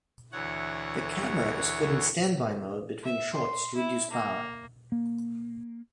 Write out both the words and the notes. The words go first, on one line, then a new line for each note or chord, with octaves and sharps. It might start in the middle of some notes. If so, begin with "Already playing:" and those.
The camera is put in standby mode between shots to reduce power.
D2 E3 C#5 F#5
E5
C6
E4
A#3
A#3